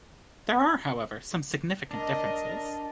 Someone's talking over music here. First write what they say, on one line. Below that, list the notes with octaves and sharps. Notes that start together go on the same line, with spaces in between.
There are however some significant differences.
D4 A#4 D#5